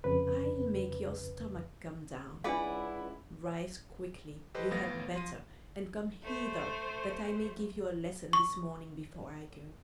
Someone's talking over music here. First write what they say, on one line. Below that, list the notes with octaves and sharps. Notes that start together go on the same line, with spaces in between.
I'll make your stomach come down; rise quickly, you had better, and come hither that I may give you a lesson this morning before I go.
F2 C#3 B4
C#2 D4 E4 F4 B4 D5 F5 F#5
G4 A4 B4 C5 D#5
G1 A2 B3 F5 A6 A#6
F3 C6 D#7
A3 C5
C#6